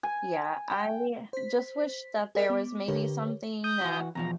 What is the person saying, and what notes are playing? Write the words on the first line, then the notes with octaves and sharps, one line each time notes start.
yeah, I just wish that there was maybe something that
G#5
G5
C5 B6
G#4 A#4 D#5
B3 D6
D3 G4 A#4 B4 C#5
D#6 G6
E3 F#4
E2 B2 F3 A#5